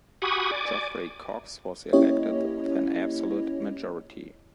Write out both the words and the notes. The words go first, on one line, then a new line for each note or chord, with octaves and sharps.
Geoffrey Cox was elected with an absolute majority.
F#4 G4 G#5 B5 C#6 D#6
D5 G#5 D6
A#3 C#4 E4 G4 C#5 D#5